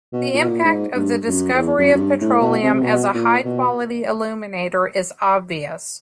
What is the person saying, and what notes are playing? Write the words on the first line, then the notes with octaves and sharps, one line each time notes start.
The impact of the discovery of petroleum as a high-quality illuminator is obvious.
B2
A#2
B2
A#2
G#2
G2
F#2
F2
E2
F#2
F#2
G2
A2
B2
C3
C3
B2
A#2
B2